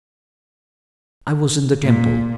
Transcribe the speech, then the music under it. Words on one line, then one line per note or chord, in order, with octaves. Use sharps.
I was in the Temple.
A#2